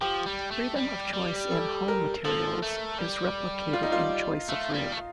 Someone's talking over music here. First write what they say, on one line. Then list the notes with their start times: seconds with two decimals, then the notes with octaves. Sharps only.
Freedom of choice in hull materials is replicated in choice of rig.
0.01 F3 G4
0.26 G3
0.51 A3
0.76 G3
1.13 G3
1.51 A4
1.88 A#4
2.24 F3 A4
2.63 A3
2.99 G3
3.73 F4
3.83 D#4
3.92 F4
4.49 A3
4.73 G3
4.92 A3